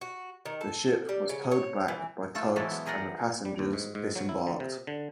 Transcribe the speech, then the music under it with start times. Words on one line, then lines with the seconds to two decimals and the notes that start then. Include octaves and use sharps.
The ship was towed back by tugs and the passengers disembarked.
0.01 F#4
0.46 D#3
0.61 A4
1.09 G3
1.29 C#3
1.51 C#5
1.88 E3
2.35 A3 F4 A4
2.56 E3 F#3 G#3 B3 E4 A4
2.71 B3
2.86 G4 G#4 A#4 D5 F#5
3.45 G3
3.59 D#2
3.73 G#2
3.95 G#2
4.16 F#3
4.29 E4
4.47 D3
4.60 C3
4.87 D3